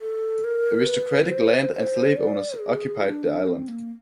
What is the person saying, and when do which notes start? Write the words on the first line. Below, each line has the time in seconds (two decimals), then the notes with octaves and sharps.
Aristocratic land and slave owners occupied the island.
0.01 A4
0.44 A#4
0.86 B4
1.29 C5
1.73 C5
2.17 D5
2.59 G#4
3.04 D4
3.47 C4
3.68 A#3